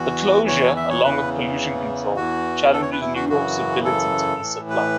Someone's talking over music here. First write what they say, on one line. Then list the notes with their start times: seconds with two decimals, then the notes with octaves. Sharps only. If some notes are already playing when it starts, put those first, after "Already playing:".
The closure, along with pollution control, challenges New York's ability to be supplied.
Already playing: E2 E3 F#4
0.48 C#5
0.76 E5
0.90 C#5
1.04 E2 C#3 E3 B4
2.17 E2 E3 F#4
2.73 A4
2.82 C#5
2.92 B4
3.01 E4
3.15 F#4
3.29 F#2 C#3 E3 F#4
3.85 A4
4.41 A2 E3
4.70 B4